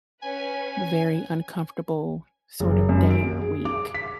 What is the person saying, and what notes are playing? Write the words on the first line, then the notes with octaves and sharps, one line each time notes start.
very uncomfortable sort of day or week.
C#4 B4 G#5
F#1
F#2
D7
G#4
D6
B6